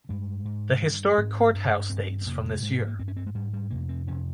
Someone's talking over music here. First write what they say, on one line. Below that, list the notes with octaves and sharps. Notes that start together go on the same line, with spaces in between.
The historic courthouse dates from this year.
G2 G#3
G#2
G2
G#2 C4
G2
G2 C4
C4
F2 C3 A#3
G#3
G#2 G#3
A#3
A#3
G2 C4
C#4
C4
G#3
G#2 G3
G3
F2 C3 A#3
C4
F2 C3 C#4